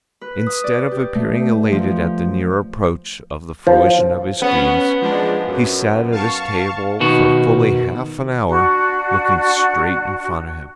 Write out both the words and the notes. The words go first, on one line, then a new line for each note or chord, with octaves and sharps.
Instead of appearing elated at the near approach of the fruition of his schemes, he sat at his table for fully half an hour looking straight in front of him.
B4
D#6
D5
G4
A3
F3
F3
B3 C#4 F#5
F3 G#3 D4
F#2
F5 A5 C#6
B2 D#3 F#4
D4 F#4 F#5